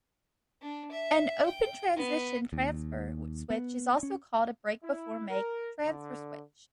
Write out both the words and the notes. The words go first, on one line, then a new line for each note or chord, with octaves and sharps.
An open transition transfer switch is also called a break-before-make transfer switch.
D4
E5
G5
B3
D#2
B3
C#4
E4
A#4
D3